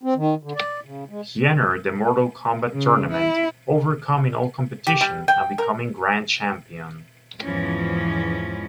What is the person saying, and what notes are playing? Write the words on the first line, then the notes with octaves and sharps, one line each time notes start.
He entered the Mortal Kombat tournament, overcoming all competition and becoming Grand Champion.
C4
D#3
D3
D5
C#3
G#3
C#3
E4
G4
G3
G5
A#4
E2 G#2 E3 F3 C#4